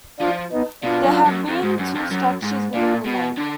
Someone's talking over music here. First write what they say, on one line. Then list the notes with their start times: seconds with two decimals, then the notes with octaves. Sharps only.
There have been two structures with the name.
0.20 F3 D4 F4
0.52 B3 D#4
0.84 B2 D4 F4
1.05 F#2
1.26 F#2
1.48 F2
1.63 G#2
1.79 F#2
1.95 F2
2.11 F#2
2.42 G#2
2.74 A#2 D4 F4
3.06 B2
3.38 D3